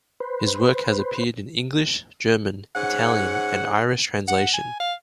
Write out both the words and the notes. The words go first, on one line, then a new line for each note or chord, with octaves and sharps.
His work has appeared in English, German, Italian and Irish translation.
B4 C5
G#2 C#4 F#5
F#5
G#5
F5